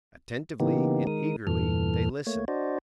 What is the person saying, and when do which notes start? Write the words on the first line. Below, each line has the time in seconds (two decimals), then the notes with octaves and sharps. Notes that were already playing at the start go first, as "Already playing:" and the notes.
Attentively and eagerly they listened.
0.60 C#3 E3 A#3 B3 D#4 G4
1.07 D#3 G#3 A#4 D#6
1.47 E2 G2 A#2 E3 A4 F6
2.27 A3 A#3 C#5
2.48 D4 F#4 C5 D5 D#5